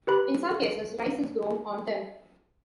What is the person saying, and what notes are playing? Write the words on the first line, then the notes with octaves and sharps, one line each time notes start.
In some cases, rice is grown on them.
G4 B4 B5